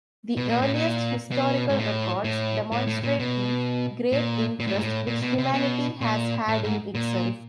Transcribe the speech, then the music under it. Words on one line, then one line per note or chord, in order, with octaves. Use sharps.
The earliest historical records demonstrate the great interest which humanity has had in itself.
B2
A#2
A2
A#2
B2
G#2
A2
A2
A2
A2
A#2
B2
A#2
A#2
A2
G#2
A2
A#2
B2
C3
B2
A#2
A2
G#2
A#2